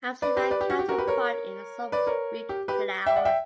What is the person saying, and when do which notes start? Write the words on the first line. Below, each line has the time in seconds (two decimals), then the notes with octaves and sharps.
I've seen my counterpart in some weak flower.
0.22 B4 D5
0.36 G4 B4
0.51 B4 D5
0.61 G4
0.70 F#4
0.79 G4
0.88 F#4 A#4
0.98 G4 B4
1.08 A#4 C#5
1.92 B4 D5
2.07 A#4 C#5
2.49 G4
2.68 G4 B4
3.06 E5 G5
3.16 D5 F#5
3.25 E5 G5